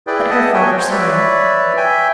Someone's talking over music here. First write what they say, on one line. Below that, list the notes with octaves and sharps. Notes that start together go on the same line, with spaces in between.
But her father smiled.
E4 G#4 B4 D5 G5
D#5 E5 F#5 A5 D#6
C#5 G5 G#5
C5
B4 C#5 D5 E5
E5 G5 G#5